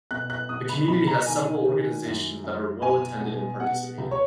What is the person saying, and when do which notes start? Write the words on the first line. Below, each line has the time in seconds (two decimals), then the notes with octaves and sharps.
The community has several organisations that are well attended and participated.
0.11 B2 F#6
0.30 F#6
0.49 B2 D#6
0.69 B5
0.88 B2 B5
1.07 A#5
1.26 D#3 G#5
1.65 D#3
2.05 F#2
2.44 F#2
2.82 B2 G#5
3.20 B2
3.60 B2 F#5
3.98 C#2
4.11 C#5